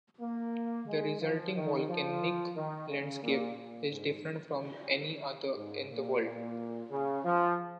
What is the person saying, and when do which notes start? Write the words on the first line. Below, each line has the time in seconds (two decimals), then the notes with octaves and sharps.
The resulting volcanic landscape is different from any other in the world.
0.20 A#3
0.87 G#3
1.21 F3
1.54 D#3
1.88 F3
2.55 D#3
2.88 C#3
3.21 A#2
3.55 A#2
3.88 G#2
5.56 G#2
5.89 A#2
6.22 A#2
6.90 C#3
7.23 F3